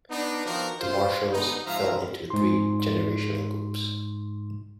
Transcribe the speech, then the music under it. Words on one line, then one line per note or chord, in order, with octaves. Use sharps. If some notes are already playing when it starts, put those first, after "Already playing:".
The Marshals fell into three generational groups.
B3 D4 D#4
D#3 F3 B3 D4 F#4 A#4
F4 C5
G#2 D3 B3 D#4
G#2 F3 F4 E5 F5 A#5
G#2 C6